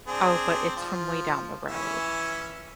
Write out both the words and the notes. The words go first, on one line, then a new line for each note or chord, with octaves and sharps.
Oh, but it's from way down the road.
C4 D4 G#4
F3
E3 C#4 E5